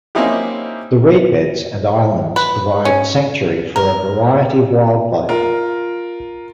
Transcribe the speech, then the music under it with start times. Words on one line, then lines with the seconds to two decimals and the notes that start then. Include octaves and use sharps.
The reed beds and islands provide sanctuary for a variety of wildlife.
0.15 A#3 C4 C#4 D#4 E4 G4
2.36 B4
2.85 C#4
3.76 A#4
5.29 F4 A#4